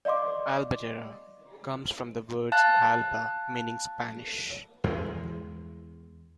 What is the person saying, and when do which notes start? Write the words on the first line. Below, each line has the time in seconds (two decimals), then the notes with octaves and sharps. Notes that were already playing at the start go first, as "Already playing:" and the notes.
Albatera comes from the words Alba, meaning Spanish.
0.05 D5 D#5 F5 C6 D6
2.52 F5 A5 F#6 A6
4.84 E2 G#3